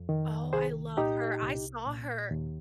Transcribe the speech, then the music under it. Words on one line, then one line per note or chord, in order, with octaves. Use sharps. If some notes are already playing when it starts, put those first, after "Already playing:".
Oh, I love her, I saw her,
Already playing: F2
D#3
C2 G#4 C5
A#2 D#4 G4
C2
A#2
D#2